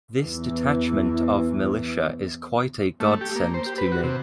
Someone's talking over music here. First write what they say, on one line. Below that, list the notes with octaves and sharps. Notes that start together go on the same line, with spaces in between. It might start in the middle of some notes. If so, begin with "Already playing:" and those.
This detachment of militia is quite a godsend to me.
E2 E3
A3
G4
A#3
C5
G4
B4
F#4
C3